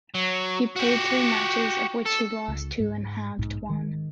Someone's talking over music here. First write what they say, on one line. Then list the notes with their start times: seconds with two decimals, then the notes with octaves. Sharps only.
He played three matches of which he lost two and halved one.
0.14 F#3
0.76 F#4 G4
2.06 A4
2.48 C#2
2.80 G#2
3.38 B1 G#2
3.69 D#3 G#3